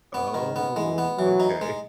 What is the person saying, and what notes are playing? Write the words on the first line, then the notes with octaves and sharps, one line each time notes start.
Oh, okay.
B3
G#2 D#3
B3
E3 G#3
B3
E3 F#3
D#4
G#3